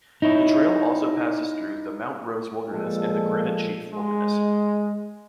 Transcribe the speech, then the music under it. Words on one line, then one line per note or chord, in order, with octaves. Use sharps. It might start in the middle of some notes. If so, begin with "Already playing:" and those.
The trail also passes through the Mount Rose Wilderness and the Granite Chief Wilderness.
D#4 E4 C#5
A#2 F3 G#3 A4
G#3